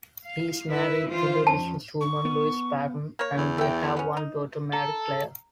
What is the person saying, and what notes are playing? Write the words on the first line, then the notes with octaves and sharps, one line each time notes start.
He is married to the businesswoman Louise Patten and they have one daughter, Mary-Claire.
F5
E4 B4 E5
E3 F4 C5
F2 C#4 A5
C#6
B3
A#3 C#5
E2
E5 G5
B3 C#4
D#4
A4 A#5